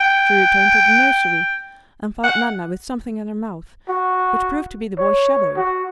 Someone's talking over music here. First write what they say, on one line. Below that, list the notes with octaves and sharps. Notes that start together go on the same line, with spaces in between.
She returned to the nursery, and found Nana with something in her mouth, which proved to be the boy's shadow.
G5
F#5
F#4
C#5
F#4